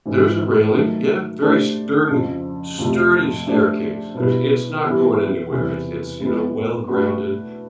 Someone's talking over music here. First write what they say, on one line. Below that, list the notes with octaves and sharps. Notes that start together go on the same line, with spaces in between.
There was a railing, yeah, very sturdy, sturdy staircase, there's it's not going anywhere, it's it's, you know, well-grounded,
G#2 E3 G#3 C4
D#3 F#3 A3
A3 D4 G4 C5
F2 C#3 F3
F2 C3 F3 A3
A3 D4 G4 C5
B2 G3 B3 E4
E3 G3 B3 E4 G4
E2 C3 E3 G3
G#3 B3 E4
A3 D4 F#4 B4